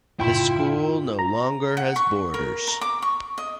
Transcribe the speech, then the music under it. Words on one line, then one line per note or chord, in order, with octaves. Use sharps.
The school no longer has boarders.
F#2 A2 C#3 E4 F4 G5 C6
A#5
F#5
C#6
A#4
A#5
D6
C#6
D#5